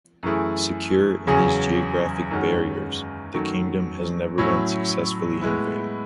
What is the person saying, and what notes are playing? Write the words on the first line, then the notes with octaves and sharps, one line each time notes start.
Secure in these geographic barriers, the kingdom has never been successfully invaded.
F#2 E3 A3 E4 G#4
E2 C#3 F#3 C#4 G#4
F#2 D#3 G#3 C#4 F#4
F#2 D#3 F#3 A3
A2 F#3 C#4 E4
A2 G#3 B3 E4